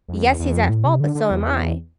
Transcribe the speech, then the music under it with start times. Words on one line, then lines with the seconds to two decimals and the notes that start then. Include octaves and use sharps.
Yes, he's at fault, but so am I,
0.09 F2
0.24 E2
0.39 E2
0.54 F2
0.69 A2
0.85 C3
1.00 D3
1.15 D3
1.31 E2